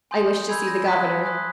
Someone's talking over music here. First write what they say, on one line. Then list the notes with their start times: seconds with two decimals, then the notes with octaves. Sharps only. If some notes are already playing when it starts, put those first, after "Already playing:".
"I wish to see the governor."
0.11 G#5 C6 D#6 G6
0.49 G#5 B5 E6 G6 G#6
0.67 A#6
0.87 A5 C6 D#6 F#6 B6
1.24 G#5 C6 D#6 F#6